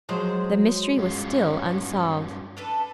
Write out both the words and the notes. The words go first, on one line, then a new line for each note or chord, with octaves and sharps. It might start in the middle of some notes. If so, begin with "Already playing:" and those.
The mystery was still unsolved.
F3 F#3 G#3 C5
G2 C#4 F4
D4 A4 B4